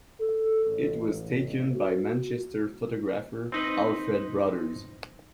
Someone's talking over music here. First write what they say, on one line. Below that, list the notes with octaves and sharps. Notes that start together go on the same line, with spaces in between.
It was taken by Manchester photographer Alfred Brothers.
A4
A1
F#4
C4 D#4 B4